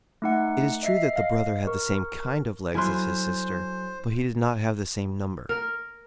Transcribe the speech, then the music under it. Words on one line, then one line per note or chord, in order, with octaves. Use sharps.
It is true that the brother had the same kind of legs as his sister, but he did not have the same number.
A3 D#4 F#5
D#5 E5 C7
D#5 F5
A#4 C#6
F#3 E4 A4 C5 G#5 C6 F6 F#6
A#4